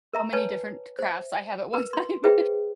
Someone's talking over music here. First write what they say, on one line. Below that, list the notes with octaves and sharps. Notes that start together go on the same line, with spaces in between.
how many different crafts I have at one time,
A#4 E5 A#5
B4 C#5 G#5 A5
C5 E5
A#4 B4
C6
G#4 B4 C5 E5 G5